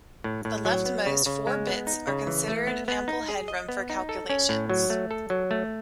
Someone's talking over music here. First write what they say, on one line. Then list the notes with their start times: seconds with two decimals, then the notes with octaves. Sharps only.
The leftmost four bits are considered ample headroom for calculations.
0.24 A2
0.45 A2
0.65 F#3
0.86 B3
1.06 C#3
1.26 C#3
1.47 G#3
1.67 B3
1.87 D#4
2.07 C#3
2.27 E3
2.48 A3
2.67 B3
2.88 B3
3.08 D#4
3.28 G#4
3.48 D#5
3.69 B3
3.90 D#4
4.09 A4
4.30 C#4
4.49 A2
4.70 F#3
4.90 A3
5.11 A4
5.30 F#3
5.51 A3